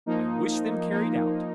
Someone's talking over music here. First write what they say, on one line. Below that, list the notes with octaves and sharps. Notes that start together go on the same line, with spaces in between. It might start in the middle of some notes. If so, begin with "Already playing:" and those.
I wish them carried out.
F3 A#3 D#4
F3 A#3 D#4